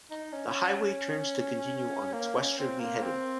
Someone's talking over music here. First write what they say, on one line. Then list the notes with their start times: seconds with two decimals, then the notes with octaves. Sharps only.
The highway turns to continue on its westerly heading.
0.11 D#4
0.33 C#4
2.13 A#3
2.36 C#4
2.58 C4
2.80 A#3
3.03 C4